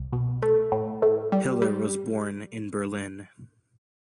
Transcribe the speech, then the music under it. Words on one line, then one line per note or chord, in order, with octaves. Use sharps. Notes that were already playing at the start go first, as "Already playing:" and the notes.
Hiller was born in Berlin.
Already playing: C2
B2
A3
A2
A2
G3
G3